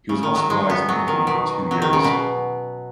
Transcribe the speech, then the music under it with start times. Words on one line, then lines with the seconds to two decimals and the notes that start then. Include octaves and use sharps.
He was hospitalized in Italy for two years.
0.09 C#3
0.23 D#3
0.36 F#3
0.50 G#3
0.70 B3
0.89 F#3
1.08 D#3
1.27 B2
1.71 F#3
1.82 D#3
1.93 C#3
2.04 B2